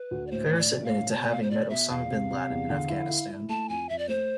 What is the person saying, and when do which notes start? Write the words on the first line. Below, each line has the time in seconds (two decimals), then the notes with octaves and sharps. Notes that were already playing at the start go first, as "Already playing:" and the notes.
Faris admitted to having met Osama bin Laden in Afghanistan.
Already playing: B4
0.11 D2
0.27 D5
0.31 A2 C5
0.52 A2
0.58 D5
0.71 A2
0.84 F5
0.91 A2
1.11 B2 A5
1.22 G#5
1.31 B2 F5
1.42 C5
1.51 B2 D5
1.70 B2 E5
1.90 E2 F5
2.10 C3
2.30 C3
2.50 E2
2.70 D3
2.89 E4
3.10 E4
3.29 E4
3.49 A3 A5
3.69 F2 G#5
3.89 F2 E5
3.99 D5
4.08 A3 C5